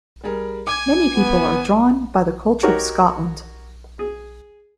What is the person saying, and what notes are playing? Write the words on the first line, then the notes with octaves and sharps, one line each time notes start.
Many people are drawn by the culture of Scotland.
G3 G#4 A#4
G#5 D6 G#6
B3
D#4 F#4 G4 A#4 C#5
G#4